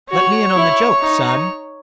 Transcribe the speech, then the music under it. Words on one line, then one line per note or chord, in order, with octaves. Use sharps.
"Let me in on the joke, son."
F#4 C#5
E4
D#4